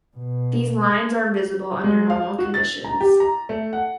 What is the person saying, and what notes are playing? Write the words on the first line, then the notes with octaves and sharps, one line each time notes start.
These lines are invisible under normal conditions.
B2
G#3
F5
F#4
A6
A#5
G4
A#5
A3
F#5